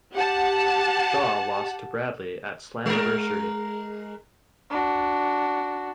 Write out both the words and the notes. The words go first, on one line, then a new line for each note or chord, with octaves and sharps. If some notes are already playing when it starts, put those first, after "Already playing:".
Shaw lost to Bradley at Slammiversary.
G4 F#5 A5
G#3 A#4
D4 F#4